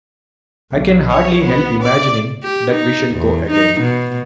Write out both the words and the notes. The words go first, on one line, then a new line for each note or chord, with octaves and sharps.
I can hardly help imagining that we shall go again.
B1
C#5
B3
D5
G4
D#4
E2
D#4
B2